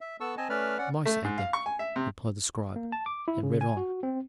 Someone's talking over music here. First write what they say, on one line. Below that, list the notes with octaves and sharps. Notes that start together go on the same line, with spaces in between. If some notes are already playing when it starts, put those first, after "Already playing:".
"The mice ate them," replied the scribe, and read on.
E5
B3 A4 A5 C#6 E6
C4 D#5 G#5 A5
A3 C#4 B4 D5 B5 F6
C#4 D5 F#5
A3
G#2
F5
C#6
G#5
E5
C3
A#3
A5
D6
E4
C#3
G#5
F#4
C4